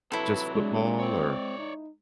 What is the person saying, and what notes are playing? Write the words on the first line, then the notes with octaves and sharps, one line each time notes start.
just football or
C3 F#3 E4 A4 B4
G#3 D4
C4 C#5 D5
D#4